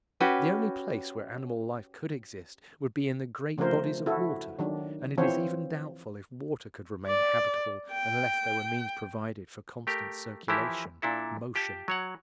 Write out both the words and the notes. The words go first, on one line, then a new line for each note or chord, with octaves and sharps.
The only place where animal life could exist would be in the great bodies of water, and it is even doubtful if water could remain habitable unless there were means provided for constant circulation--motion.
C#4 F#4 G4 B4
C#3 F3 A3 D4 A#4 C5
E4 F#4 A4
D#3 F#3 D4
E3 F3 C4 F4 C5 C#5
D5
G5
A3 G4 A#4
E3 F3 E4 G4 A#4
A#2 D4 E4 A4
F4 G4 G5 A5
F#3 C#5 F#5